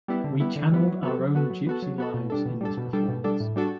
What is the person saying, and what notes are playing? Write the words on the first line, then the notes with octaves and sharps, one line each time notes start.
We channeled our own Gypsy lives in this performance.
G3 B3 E4
D3
G3 B3 E4
D3
G3 B3 E4
F#3
B3 F#4 A4
F#3
B3 F#4 A4
F#3
B3 F#4 A4
F#3
B3 F#4 A4
B2
G3 D4 A4
B2
G3 D4 A4
B2
G3 D4 A4
B2
G3 D4 A4
A2
G3 D4 F#4 A4